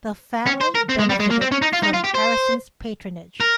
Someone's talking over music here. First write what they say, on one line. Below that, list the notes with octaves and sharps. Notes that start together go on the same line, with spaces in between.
The family benefited from Harrison's patronage.
C#4
C5
A#4
C4
G#3
G3
G#3
A#3
C4
C#4
D#4
F4
D#4
F4
G4
C5
A#4